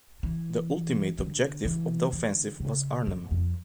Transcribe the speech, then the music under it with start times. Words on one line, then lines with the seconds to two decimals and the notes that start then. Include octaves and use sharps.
The ultimate objective of the offensive was Arnhem.
0.23 E3
1.19 D3
1.65 E3
2.13 D3
2.60 C#3
3.07 F2
3.31 F2